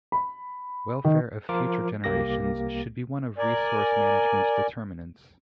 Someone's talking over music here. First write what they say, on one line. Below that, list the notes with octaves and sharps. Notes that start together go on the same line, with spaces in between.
Welfare of future generations should be one of resource management determinants.
B5
D#3
F3 F4 A#4 D6
C2 A#3 G4 D6 A#6
A#4 D5 G#5